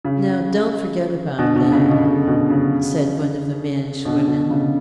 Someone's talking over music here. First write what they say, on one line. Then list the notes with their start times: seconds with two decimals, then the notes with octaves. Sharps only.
"Now, don't forget about that," said one of the mannish women.
0.05 C#3
1.38 B2 D3
1.55 B2 D3
1.72 C#3
1.88 B2
2.05 C#3
2.27 B2 D3
2.50 C#3
4.05 B2 D3
4.27 B2 D3
4.50 C#3